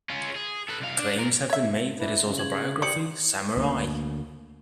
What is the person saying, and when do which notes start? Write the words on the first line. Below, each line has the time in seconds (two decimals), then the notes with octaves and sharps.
Claims have been made that his autobiography Samurai!
0.10 C#4 F4
0.35 G#4
0.68 A4 B4
0.80 C2 F5
0.99 D4
1.17 A#2 A#4
1.50 C#5 E5
1.99 D4 E4 B4
2.21 C#3
2.38 G#6 F#7
2.82 G4 C5 D5 D#6 C#7 F#7
3.57 D2 A#3